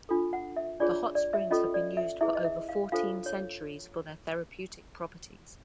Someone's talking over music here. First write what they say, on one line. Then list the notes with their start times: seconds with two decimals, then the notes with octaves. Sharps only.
The hot springs have been used for over fourteen centuries for their therapeutic properties.
0.09 D4 F4 A4
0.33 F#5
0.57 E5
0.80 D4 F4 G#4 C#5 D5
1.15 D5
1.33 E5
1.51 C#4 F4 A4 D#5
1.74 D5
1.97 E5
2.21 E4 G#4 B4 E5
2.35 D#5
2.45 E5
2.69 F5
2.92 D4 F4 A4 C5 F5
3.26 C#5